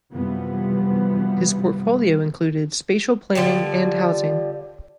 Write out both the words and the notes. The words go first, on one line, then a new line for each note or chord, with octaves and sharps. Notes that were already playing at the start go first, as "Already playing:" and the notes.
His portfolio included spatial planning and housing.
F#2 C3 E3 F3 G3 B3
D3 F3 G3